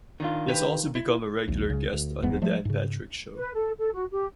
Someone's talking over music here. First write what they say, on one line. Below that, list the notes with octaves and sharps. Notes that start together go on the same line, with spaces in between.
He has also become a regular guest on The Dan Patrick Show.
D#3 D4 F4
G4 B4
E4
A#1 D#2
C#2 C#3
D2
D1 E2 G#2 B3
F3 G3 A3
G#2 C#3
B4
A4
A4
F#4
G4